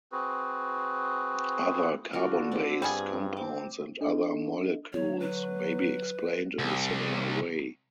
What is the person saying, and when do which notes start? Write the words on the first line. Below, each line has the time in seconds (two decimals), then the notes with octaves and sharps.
Other carbon based compounds and other molecules may be explained in a similar way.
0.12 C4 F#4 G#4 B4
2.13 D3 F4 F#4 D5
2.52 C4 G4
2.82 G2 G3 B3 G#4
3.37 C4 D6
4.01 D4 A4 D#5
4.93 D3 F#3 C#5
5.20 B4
6.59 C2